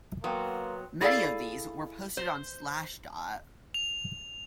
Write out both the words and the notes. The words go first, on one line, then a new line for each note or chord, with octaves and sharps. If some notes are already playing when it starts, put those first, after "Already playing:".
Many of these were posted on Slashdot.
F#3 A#3 B3 G5 C6 D#6
E4 G#4 A4 D5 F5
C5
F7